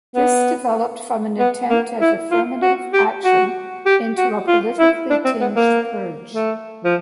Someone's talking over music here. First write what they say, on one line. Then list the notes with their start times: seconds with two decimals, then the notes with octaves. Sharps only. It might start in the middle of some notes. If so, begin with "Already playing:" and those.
This developed from an attempt at affirmative action into a 'politically tinged purge'.
0.16 B3
1.39 B3
1.70 A#3
2.01 E4
2.31 F4
2.62 F#4
2.93 G4
3.25 F#4
3.86 G4
4.17 F#4
4.48 F4
4.79 E4
5.10 D4
5.25 C4
5.41 B3
5.56 A#3
6.33 A3
6.85 F3